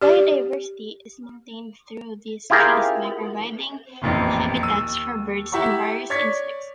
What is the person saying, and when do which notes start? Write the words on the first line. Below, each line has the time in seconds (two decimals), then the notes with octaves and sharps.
Biodiversity is maintained through these trees by providing habitats for birds and various insects.
0.01 G4 D5
2.50 E4 F4 G4 G#4 A#4
4.02 E1 A1 F2 A#2 E3
4.62 D#2 E6 D#7
5.52 E4 G4 E5 F#5 A#5 C#6
6.10 C#5 D5 C#6 G#6 B6 C#7